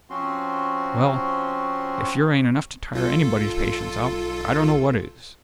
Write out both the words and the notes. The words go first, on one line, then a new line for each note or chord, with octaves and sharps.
Well, if yer ain't enough to tire anybody's patience out, I don't know what is!'
F3 C4 C#4 F#4 C6
B1 F4 A4